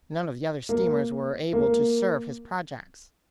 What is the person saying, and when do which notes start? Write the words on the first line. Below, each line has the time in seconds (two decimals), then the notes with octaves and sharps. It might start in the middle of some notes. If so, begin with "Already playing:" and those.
None of the other steamers were able to serve his projects.
0.69 A#3
1.53 A#3